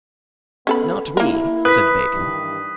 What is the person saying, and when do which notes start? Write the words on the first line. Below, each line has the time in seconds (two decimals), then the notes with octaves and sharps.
"Not we," said Bacon.
0.67 B3 C#4 A4 B5
1.17 A#3 E4 A#4
1.65 B4 D#6 B6
2.13 G2 D#3 E3